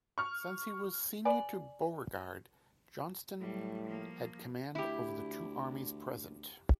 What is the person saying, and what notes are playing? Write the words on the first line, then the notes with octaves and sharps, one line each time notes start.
Since he was senior to Beauregard, Johnston had command over the two armies present.
C#6 F6
B4 D5 G#5
A2 F#3 G3
F3 A#3
D2 E4 G4